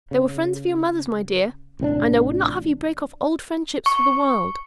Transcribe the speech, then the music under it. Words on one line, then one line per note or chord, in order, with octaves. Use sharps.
They were friends of your mother's, my dear, and I would not have you break off old friendships for the world.
C#3
A1 C3 C4 D4
C#6